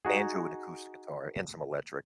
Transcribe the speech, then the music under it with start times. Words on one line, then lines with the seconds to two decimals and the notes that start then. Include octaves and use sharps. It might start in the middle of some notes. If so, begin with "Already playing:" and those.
banjo and acoustic guitar, and some electric.
0.05 D#4 F#4 G#4